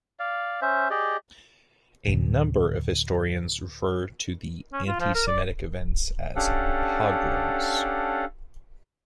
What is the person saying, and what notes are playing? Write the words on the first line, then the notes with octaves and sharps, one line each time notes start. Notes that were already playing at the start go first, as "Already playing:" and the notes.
A number of historians refer to the antisemitic events as "pogroms".
D5 F5
C#4 C5 E5
G4 G#4 D5 D#5
D1 G#1
C#4
F4
F3
A#4
D5
C#4 D4 G4 A4 F5 F#5